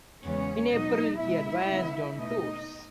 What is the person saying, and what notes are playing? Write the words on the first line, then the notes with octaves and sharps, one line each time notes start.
In April he advanced on Tours.
E2 C#3 G#3 B3 C#4 C#5
B2 F#3 B3 D#4 D#5
B2 G#3 B3 E4 E5
C#3 G#3 B3
B2 A3 D#4 D#5